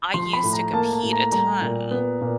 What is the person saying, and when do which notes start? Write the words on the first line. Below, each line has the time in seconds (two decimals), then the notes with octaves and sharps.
I used to compete a ton,
0.14 F3 C6
0.33 B5
0.43 A2
0.53 A#5
0.73 A#3 A5
0.93 A5
1.03 A2
1.13 A#5
1.32 G3 A#5
1.62 A#2
1.91 B3
2.21 A#2